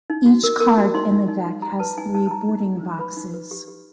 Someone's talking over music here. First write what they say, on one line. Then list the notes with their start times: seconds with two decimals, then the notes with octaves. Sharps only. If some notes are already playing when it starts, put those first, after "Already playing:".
Each card in the deck has three boarding boxes.
0.10 D#4
0.26 F#4
0.44 A#4
0.60 A#4
0.78 F#4
0.94 D#4 C6
1.12 D#4
1.28 D#4
1.46 D#4
1.62 G4 A#5
1.79 B4 A5
1.97 D#4 G#5
2.14 D#4 A5
2.27 A5
2.31 D#4 A#5
2.49 D#4
2.66 G4
2.83 D#4
2.99 B4 B5
3.17 D#4
3.34 B4
3.51 G4
3.68 G4